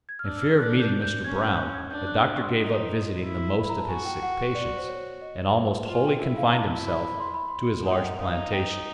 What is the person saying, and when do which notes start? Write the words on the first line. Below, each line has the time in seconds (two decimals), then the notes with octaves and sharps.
In fear of meeting Mr. Brown, the doctor gave up visiting the most of his sick patients, and almost wholly confined himself to his large plantation.
0.09 G#6
0.19 F6
0.25 D4 E6
0.37 E6
0.41 F6
0.59 D4 F#6
0.80 G6
1.02 G6
1.24 C#4 G#6
1.41 G6
1.53 F#6
1.57 G6
1.74 G#6
1.91 D4 G6
2.07 F#6
2.24 F#6
2.35 C#6
2.41 C6
2.56 D#4
3.23 E4
3.60 B5
3.69 A#5
3.80 A5
3.89 F#4 G#5
4.05 G5
4.23 F#5
4.55 D5
4.77 C5
4.88 C#5
5.22 D#5
5.55 E5
5.88 F4
5.95 G#5
6.04 G5
6.21 E4 E5
6.37 F5
6.47 A#5
6.54 A5
6.87 B5
7.20 C6
7.34 B5
7.48 C6
7.86 D#4 F#5
7.95 G5
8.04 F#5
8.19 D#4 F5
8.52 G5